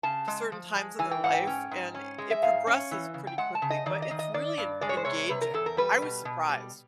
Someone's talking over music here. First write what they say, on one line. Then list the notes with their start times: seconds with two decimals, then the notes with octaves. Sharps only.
to certain times in their life, and it progresses pretty quickly, but it's really en engaging. I was surprised.
0.03 C#3 A5
0.28 G#3
0.52 F3
0.76 G#3
0.99 E3 G#5
1.11 G5
1.24 G#2 F#5
1.34 G5
1.47 C#4
1.71 G#2
1.94 C#4
2.18 G#3
2.31 E5
2.43 G#2 F5
2.67 C#4
2.91 E3
3.14 C#3
3.27 G5
3.38 G#3 F#5
3.55 A5
3.62 C#3
3.70 D#5
3.86 D#3 D5
4.02 D#5
4.11 D#3
4.19 D#5
4.34 D#3 D5
4.58 G2
4.81 G#3 D5
4.89 C#5
4.97 C5
5.05 C3 C#5
5.29 C3 B4
5.41 A#4
5.54 E2 A4
5.66 A#4
5.77 G3 B4
6.02 B2
6.25 B2
6.49 G3